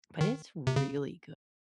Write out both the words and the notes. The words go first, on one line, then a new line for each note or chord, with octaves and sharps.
but it's really
D#3
C3
C#3